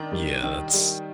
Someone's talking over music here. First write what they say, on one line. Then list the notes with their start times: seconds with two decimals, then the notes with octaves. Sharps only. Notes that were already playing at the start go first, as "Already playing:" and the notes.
Yeah, that's
Already playing: D#3 D4
0.12 G3
0.43 D#3
0.74 G3